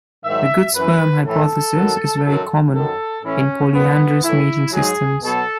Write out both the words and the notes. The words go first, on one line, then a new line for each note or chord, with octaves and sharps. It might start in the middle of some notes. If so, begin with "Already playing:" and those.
The "good sperm hypothesis" is very common in polyandrous mating systems.
G#2 D#3 F#3 E5
F#2 E3 B4
A2 E3 A4
F#2 D#3 F#3
F#2 D#3 F#3
F#2 D#3 F#3 A4
A2 E3 C#4
F#2 D#3 F#3 B3
A2 E3 E4
G#2 F#3 G#4
B2 F#3 A4